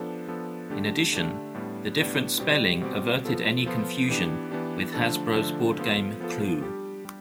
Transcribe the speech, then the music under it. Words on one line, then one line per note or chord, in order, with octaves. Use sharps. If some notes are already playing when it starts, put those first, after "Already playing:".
In addition, the different spelling averted any confusion with Hasbro's board game Clue.
Already playing: F3 B3 D4 A4
F3 B3 D4 A4
D3 A3 D4 G4
D3 A3 D4 G4
A2 G3 B3 D4
A2 G3 B3 D4
B2 G3 C4 G4
B2 G3 C4 G4
F3 B3 F4 A4
F3 B3 F4 A4
E3 B3 D4 G4
E3 B3 D4 G4
D3 F3 A3 D4 A4
D3 F3 A3 D4 A4
F3 B3 F4 A4
F3 B3 F4 A4
G3 D4 G4
G3